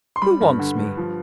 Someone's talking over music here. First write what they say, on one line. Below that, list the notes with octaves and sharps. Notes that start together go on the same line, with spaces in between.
"Who wants me?"
C6
G3 B5
G2
D3
G2
F3